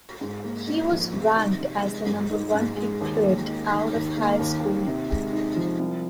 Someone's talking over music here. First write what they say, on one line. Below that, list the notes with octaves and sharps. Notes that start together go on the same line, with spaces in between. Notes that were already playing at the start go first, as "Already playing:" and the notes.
He was ranked as the number one recruit out of high school.
G#2
A#3
D#4
F3
C3
D#4
C3
G#3
G#2
D#4
G#2
G#3
D#2
A#3
D#4
D#3
D#2
A#3
D#2
D#3
C3
G#3
D#4
F3
C2